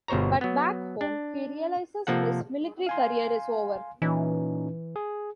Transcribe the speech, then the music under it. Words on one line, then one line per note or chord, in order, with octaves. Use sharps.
But back home he realizes his military career is over.
G1 B2 C5 C#5 A#5
F#3 B3
D4
C3 F3 A#3 A4 F#5
F5 G#5 C6
A#2 E3 C#4 D#4
G#4